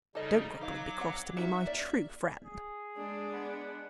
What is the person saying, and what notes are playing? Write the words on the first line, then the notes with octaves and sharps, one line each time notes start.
Don't grumble and be cross to me, my true friend.
C#3 G3 D#4 A4 D#5
F#3 D#4 F5 D6
C4 F#5
C#4 D#4 F#4 E5
A#3 D5
G#4
G#3 D4
B3